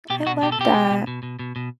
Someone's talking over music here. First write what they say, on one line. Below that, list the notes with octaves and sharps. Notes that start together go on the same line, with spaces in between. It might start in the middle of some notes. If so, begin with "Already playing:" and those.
I love that,
B2 G4
B2 F#4
B2 G4
A4
B2 G4
B2
B2
B2
B2
B2
B2